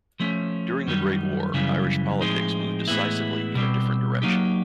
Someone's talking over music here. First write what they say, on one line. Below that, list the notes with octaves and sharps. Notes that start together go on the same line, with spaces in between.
During the Great War Irish politics moved decisively in a different direction.
F3 A3 C#4
F#2 D#3 G3
F#2 C#3 E3 G3
A2 F3 G#3 C4 D#4
A2 E3 G#3 B3 E4
B2 G3 C4
F#3 A#3 D#4 G4